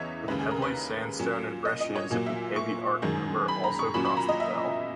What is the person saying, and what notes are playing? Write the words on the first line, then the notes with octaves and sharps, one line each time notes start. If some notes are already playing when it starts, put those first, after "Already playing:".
The pebbly sandstone and breccias of the Pavey Ark Member also cross the fell.
Already playing: E2 C#3 E3 C#5 D#5 E5
D#2 C#3 G#3 B4
G#4
A#4
B4
A#2 F#3 C#4
D#5
D#5
C#5
A#2 F#3 A#3 G#5
E5
C#6
F#2 D#3 G#3
B5
A#5
C#6
A#2 F#3 C#4 B5
B5
A#5
D#5
E5